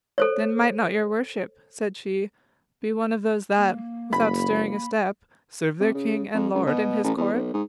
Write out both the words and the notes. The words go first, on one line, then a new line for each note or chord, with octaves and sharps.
"Then might not your worship," said she, "be one of those that, without stirring a step, serve their king and lord in his court?"
A4 C5 C#5
A#3
F#1 B5
C3
C#3
F2
C#2
B2
A1
E2
B1
G#2